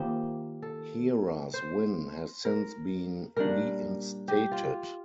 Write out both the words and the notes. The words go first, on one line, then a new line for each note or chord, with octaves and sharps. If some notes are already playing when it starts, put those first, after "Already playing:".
Heras' win has since been reinstated.
Already playing: D#3 A#3 F4 G4 C5 D#5
A4
C5
A#4
A#2 G3 D4 A#4
G4
F4